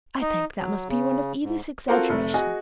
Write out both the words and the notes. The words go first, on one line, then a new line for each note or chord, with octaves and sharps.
'I think that must be one of Edith's exaggerations.
D#4
F#3
C#3
G#2
C4 F4 F#4 A4 A#4 C5
F1 A3
F#4 G#4 D#5 G#5